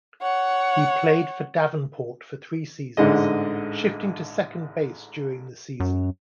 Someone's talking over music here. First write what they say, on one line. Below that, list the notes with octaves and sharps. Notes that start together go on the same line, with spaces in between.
He played for Davenport for three seasons, shifting to second base during the season.
C#5 F#5
A1 G#2 D3 G#3 D#5
F#2